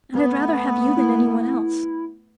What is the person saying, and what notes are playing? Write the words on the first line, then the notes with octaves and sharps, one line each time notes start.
And I'd rather have you than any one else.
A3 B3
E4